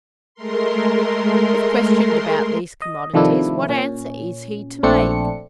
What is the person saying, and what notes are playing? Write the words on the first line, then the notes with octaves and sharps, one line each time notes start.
If questioned about these commodities, what answer is he to make?
G#3 A3 A#4 C6
D#5
C3 D#3 F3 A3 D4 E4
A#2 C#4
A#1 A3 C4 D4 C#7